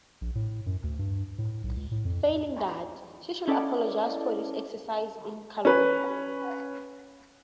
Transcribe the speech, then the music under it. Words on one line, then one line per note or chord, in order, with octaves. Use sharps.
Failing that, she should apologize for this exercise in calumny.
A#1
A2
F#2
D2
G2
A2
B1
C#2
A2
F2
C#4 E4 A4 D5 D#5
C#4 B4